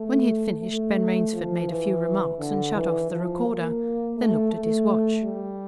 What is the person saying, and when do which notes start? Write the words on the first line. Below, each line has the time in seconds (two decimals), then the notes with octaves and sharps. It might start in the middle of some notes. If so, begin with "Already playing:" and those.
When he had finished, Ben Rainsford made a few remarks and shut off the recorder, then looked at his watch.
Already playing: A3
0.62 A3
1.33 F3
1.69 E3
2.39 D3
2.75 E3
3.11 F3
3.46 A#3
4.17 A3
4.53 A3
5.23 G3